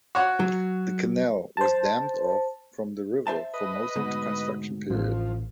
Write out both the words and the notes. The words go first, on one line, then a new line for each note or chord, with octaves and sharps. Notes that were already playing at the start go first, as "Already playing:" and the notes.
The canal was dammed off from the river for most of the construction period.
F#4 C#5 F#5
F#3
C5 A5
C5 E5 A5
B4 D#5
D2 G#2 B2
A1 F3